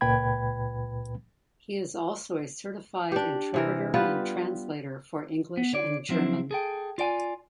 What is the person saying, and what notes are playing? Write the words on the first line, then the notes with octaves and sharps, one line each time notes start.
He is also a certified interpreter and translator for English and German.
C#2 A#2 B4 G5 B5 G#6
D4 G4
C3 E3 A#4
G3 B3 F4 B4
B3
D3 C#5 D5
F3 F#3 C4 E4
G#4 A4 G5
F4 D5 G5 G#5